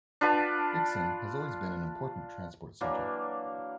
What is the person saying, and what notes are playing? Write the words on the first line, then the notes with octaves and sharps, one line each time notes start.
Iksan has always been an important transport center.
D4 F4 B4 A5
E3 F#3 A#3 D4